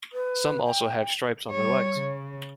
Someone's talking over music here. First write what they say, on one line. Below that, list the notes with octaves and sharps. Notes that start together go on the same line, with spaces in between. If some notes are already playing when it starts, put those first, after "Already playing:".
Some also have stripes on their legs.
B4
G5
G3 C#5
C#3